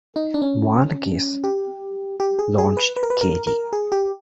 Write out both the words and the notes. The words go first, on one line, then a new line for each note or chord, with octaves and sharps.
Wanagas launched k.d.
D#4
D4
C#4
G4
G4
G#4
G#4
B4
B4
A#4
B4
A#4
A#4
G#4
G4